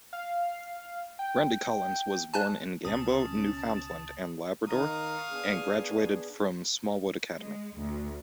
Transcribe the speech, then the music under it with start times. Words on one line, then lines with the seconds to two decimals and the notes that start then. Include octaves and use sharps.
Randy Collins was born in Gambo, Newfoundland and Labrador and graduated from Smallwood Academy.
0.13 F5
1.19 G5
2.34 G#5 A5 F#6
2.85 C#2 B2 C#4 A5 D#6
4.68 D#3 F5 A#5 C#6 D#6
5.31 B3 D4 G#4
7.36 G#3
7.76 D2